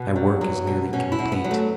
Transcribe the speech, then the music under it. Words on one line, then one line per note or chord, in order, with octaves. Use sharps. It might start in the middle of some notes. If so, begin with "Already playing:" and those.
My work is nearly complete.
Already playing: B2 B3
F#3
F#3
B2
B2 C#4
E4
B2
B3
F#3
A3